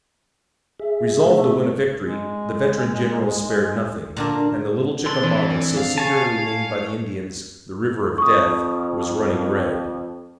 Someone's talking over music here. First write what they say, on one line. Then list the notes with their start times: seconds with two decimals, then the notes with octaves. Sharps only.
Resolved to win a victory, the veteran generals spared nothing, and the little Chickamauga, so singularly named by the Indians "the river of death," was running red.
0.80 G#4 E5
1.23 A3
2.05 G#3
4.17 A#2 D3 D4 A#4
5.06 C4 D4 C6
5.23 E3
5.77 F5
5.98 C#5 G#5 A5
8.18 F2 C#6 D#6